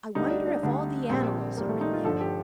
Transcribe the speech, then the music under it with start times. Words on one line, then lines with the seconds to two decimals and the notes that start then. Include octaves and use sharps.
"I wonder if all the animals are in there."
0.15 D2 D3 G3 D#4
0.30 D4
0.47 D4
0.63 D2 D3 G3 D4
1.09 A#1 A#2 G3 C4
1.57 A#1 A#2 G3 A#3
1.69 A3
1.81 D#4
1.93 F4
2.04 G1 G2 D3 F3 A4
2.21 G4